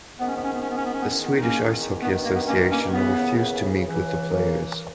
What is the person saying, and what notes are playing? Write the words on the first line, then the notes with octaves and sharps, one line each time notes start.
The Swedish Ice Hockey Association refused to meet with the players.
G#2 D#3 B3
C#4
B3
C#4
B3
C#4
B3
C#4
B3
C#4
B3
E2 D#3
B3
D#4
A#3 C#4
G2 D#3 B3
A#3
B3
A#3 C#4
A#3 C#4
D#2 C#3 E3 B3
C#2 C#3 E3
A#3 C#4